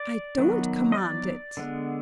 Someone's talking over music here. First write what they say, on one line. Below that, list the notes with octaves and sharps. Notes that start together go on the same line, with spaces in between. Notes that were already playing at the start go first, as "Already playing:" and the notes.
"I don't command it!"
Already playing: D5
D#3 F#3 B3
D#5
D5
D3 G#3 B3